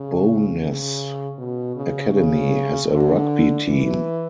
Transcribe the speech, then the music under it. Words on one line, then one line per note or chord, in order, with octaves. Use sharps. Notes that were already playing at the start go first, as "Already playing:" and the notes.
Bo'ness Academy has a rugby team.
Already playing: C#3
C#3
B2
C#3
C#3
D3
E3